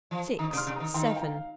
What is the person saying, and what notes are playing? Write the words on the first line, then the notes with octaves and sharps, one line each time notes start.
Six! Seven!
F3
D#3 A#5 D#6
C3 D#6
C6 F6
C3
D#3 A#5 D#6
D#3 G5 C6
F5 A#5
G5
F5 A#5
F5